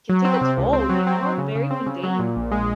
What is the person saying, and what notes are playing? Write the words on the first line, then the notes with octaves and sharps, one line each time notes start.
can take a toll, you know? Very mundane.
F#3
C4
C3
C#2
C4
F#3
C4
F#3
C#3
C#3
C4
C#3
F#3
A#2
A#1
G#3